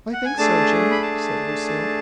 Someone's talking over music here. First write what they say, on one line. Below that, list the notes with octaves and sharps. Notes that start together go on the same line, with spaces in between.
"I think so, Jim," said Lucille.
F#5
G#5
A3 D4 G#4 A5
B5
A5
A5